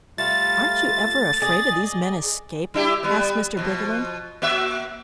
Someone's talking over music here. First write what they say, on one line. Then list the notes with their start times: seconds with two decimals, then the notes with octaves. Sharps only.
"Aren't you ever afraid of these men escaping?" asked Mr. Briggerland.
0.18 G3 A3 F4 A6
1.42 G#4 D5 D#5
2.74 G3 E4 G4
3.03 G3 B3
3.57 B2 F3
4.42 A#3 F#4 E5